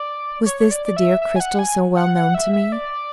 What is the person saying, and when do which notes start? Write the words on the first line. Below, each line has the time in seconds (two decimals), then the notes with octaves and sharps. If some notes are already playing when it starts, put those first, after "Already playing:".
Was this the dear Cristel so well known to me?
Already playing: D5
0.46 C#5
0.60 C#5
0.71 D5
0.86 D5
0.97 E5
1.22 E5
1.36 G#5
1.40 F#5
1.59 G#5
1.97 F#5
2.15 F#5
2.34 E5
2.53 E5
2.72 D5